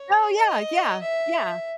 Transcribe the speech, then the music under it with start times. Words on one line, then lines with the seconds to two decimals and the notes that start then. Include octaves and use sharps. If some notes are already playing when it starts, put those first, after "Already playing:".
Oh, yeah, yeah, yeah.
Already playing: C#5
0.37 D#5
1.01 E5